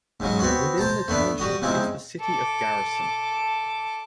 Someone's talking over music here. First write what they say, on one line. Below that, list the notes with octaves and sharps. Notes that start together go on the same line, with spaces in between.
Within the township is the city of Garrison.
G#2 C#3 F#3
B3 C4 F#4 C#5
C5 A5 A#5
A3 B3 D4 B4
G3 F#4 D#6
E2 C#3 F3 G#3 C4
A4 D6